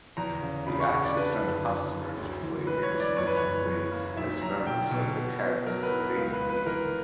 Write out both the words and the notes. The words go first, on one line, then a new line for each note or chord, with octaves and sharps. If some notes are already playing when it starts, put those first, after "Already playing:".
The Atchison Huskers played exclusively as members of the Kansas State League.
E2 A#5
C#3
C#3 B5
C#6
C#3 C#6
D5
D3 B4
F#1
F#2
F#2
D2
E3
E1 B4
C#5
E3
D5
F#2 C#5
B4
F#1 C#5
F#2
A#3
B1 E5
F#3 A#5
B2 G5
B2
B3
B3
F#3 A#4
B4
E4
A#4
C#2 B4
B4
C#2
B4
E3 A#4